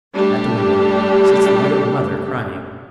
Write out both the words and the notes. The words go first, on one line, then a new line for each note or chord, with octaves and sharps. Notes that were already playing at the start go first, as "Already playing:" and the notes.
At the window sits the widowed mother crying.
G3 A3 D4 G4